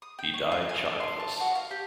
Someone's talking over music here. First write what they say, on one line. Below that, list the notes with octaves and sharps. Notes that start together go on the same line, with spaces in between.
He died childless.
D#6
G5
C#5
F4
G#5
A4
C6
A5
F#4
F5
G4